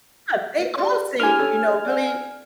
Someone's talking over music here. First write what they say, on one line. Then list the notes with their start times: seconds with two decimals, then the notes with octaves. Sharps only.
Yeah, they all seem, you know, really
0.78 G4 D5 C6
1.20 D4 E4 G4 G#5 F6
1.39 C#4 A4 C#5
1.85 D5 F#5